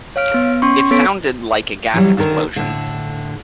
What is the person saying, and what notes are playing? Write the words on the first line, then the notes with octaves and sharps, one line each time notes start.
It sounded like a gas explosion.
C#5 F5 F6 D7
B3
C#4 C6 C#6
B3 A4 C#5 B6 D7
E3 F#3 G3
D2 D3 D#3 A#4
A2 D3